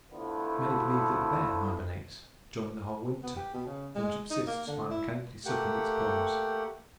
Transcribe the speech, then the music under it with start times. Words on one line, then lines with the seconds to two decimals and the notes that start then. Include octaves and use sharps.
Many believe that the bear hibernates during the whole winter and subsists by mechanically sucking its paws.
0.12 D3 F3 A3 B3 E4
3.23 B3
3.36 G4
3.54 B2
3.66 C#3
3.95 G#3
4.31 D#4
4.47 A#3
4.67 D3
4.91 E4
5.46 A3 A#3 G4 F#5 G5